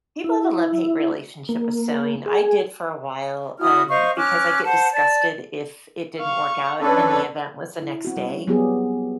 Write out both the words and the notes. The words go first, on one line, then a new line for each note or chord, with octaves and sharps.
people have a love-hate relationship with sewing. I did for a while, um, because I get disgusted if it didn't work out, and the event was the next day.
E4
A#3
G#4
E4 F#4 D#6 F6
C5 D#5 F5 C#6
C#4 D6 F6 F#6
C5 F#5 A5
D5 A5
F5 C#6
F2 C#4 D4 A4 B4
E4
C4 F#4
G3 C#4
F#3 G3 B3 C4 G4 G#4